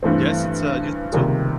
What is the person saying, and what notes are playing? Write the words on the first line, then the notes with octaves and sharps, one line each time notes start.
Yes, it's, uh, useful too.
G2 E3 A3 C4
C#2 C3 D#3 G3 A#3